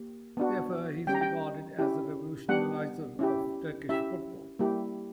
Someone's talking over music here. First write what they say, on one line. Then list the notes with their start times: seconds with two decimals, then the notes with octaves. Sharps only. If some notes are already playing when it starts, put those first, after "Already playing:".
Therefore, he's regarded as the revolutionizer of Turkish football.
Already playing: A#3 G4
0.37 B3 D4 F#4
1.07 G3 C#4 G4 G5
1.14 A#5
1.21 G5
1.79 C#4 E4 G4
2.49 G3 B3 D4 G4 F#5
3.19 C#4 E4 G4
3.89 C#4 E4 G4 E5
4.59 G3 A#3 E4 G4